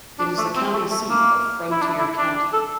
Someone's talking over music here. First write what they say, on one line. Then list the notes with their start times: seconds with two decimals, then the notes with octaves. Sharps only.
It is the county seat of Frontier County.
0.19 D4
0.38 A3
0.56 C4
0.74 A3
0.91 A3
1.10 A#3
1.71 E4
1.81 D4
1.99 E4
2.18 D4
2.53 A4